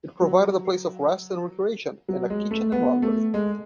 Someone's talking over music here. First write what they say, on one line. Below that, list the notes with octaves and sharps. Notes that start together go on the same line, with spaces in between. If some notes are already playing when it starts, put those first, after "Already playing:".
It provided a place of rest and recreation, and a kitchen and laundry.
F#3
F#3
G#3
A3
B3
A3
G#3